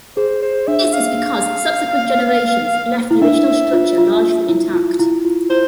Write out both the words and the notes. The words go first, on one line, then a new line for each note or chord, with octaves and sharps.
This is because subsequent generations left the original structure largely intact.
G#4 C5
C5
D4 E5
F5
E4
D4 E5
F4
F4
E4
F4
E4
F4
E4 C5